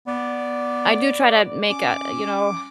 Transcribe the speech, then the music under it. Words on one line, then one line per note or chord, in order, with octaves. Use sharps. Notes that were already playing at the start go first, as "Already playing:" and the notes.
I do try to make, uh, you know,
B3 D5
C#4 D6